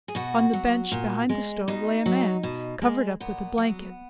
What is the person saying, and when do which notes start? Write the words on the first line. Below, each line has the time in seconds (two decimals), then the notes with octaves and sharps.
On the bench behind the stove lay a man, covered up with a blanket.
0.08 G#4
0.15 B2 F#4
0.53 F#3
0.92 A#2
1.29 G#3
1.68 B2 D#4
2.06 F#3
2.43 B2
2.82 G#3
3.20 A#2 B3
3.58 F#3